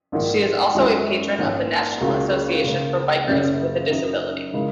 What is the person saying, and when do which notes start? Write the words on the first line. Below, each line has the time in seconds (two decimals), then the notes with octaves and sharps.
She is also a patron of the National Association for Bikers with a Disability.
0.12 A#1 G#2 D#3
0.75 F#2 D#3 G#3 F#4
1.38 A#1 G#2 D#3 A#3 C#4
2.01 C#2 C#3 A#3 F#4
2.64 C#2 C#3 A#3
3.28 F#1 F#2 C#3 A#3 C#4
3.90 F#2 D#3 F#3 D#4
4.53 C#3 G#3 D#4 A#4